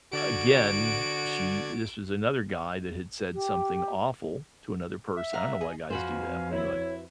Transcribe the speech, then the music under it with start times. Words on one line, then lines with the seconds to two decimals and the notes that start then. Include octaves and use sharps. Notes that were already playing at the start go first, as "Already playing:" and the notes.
again, she this was another guy that had said something awful to another person- I don't know why guys do that, but anyway-
0.13 D3 F#4 D5 G#6 D7
3.34 G4
5.17 E5
5.33 F5 F#5 A#5
5.61 G#4 D#5
5.90 F2 F#4 B4 C5 F5 G#5
6.51 E4 C#5